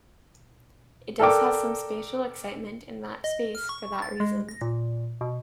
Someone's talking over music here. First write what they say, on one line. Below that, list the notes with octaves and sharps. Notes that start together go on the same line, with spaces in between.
It does have some spatial excitement in that space for that reason.
A4 A#4 D5 G5 D6
D#5
F6
C#6
A6
G#3
A#6
A#2
B2